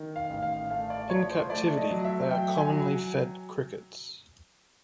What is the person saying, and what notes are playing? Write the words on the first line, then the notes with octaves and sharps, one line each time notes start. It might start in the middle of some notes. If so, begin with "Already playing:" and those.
In captivity, they are commonly fed crickets.
Already playing: D#3
F5
A1
F5
A3 F5
D5
F3 C#5
C5
A3 D5
D#5
F#3
E5
F#3 G5
G#5
F#3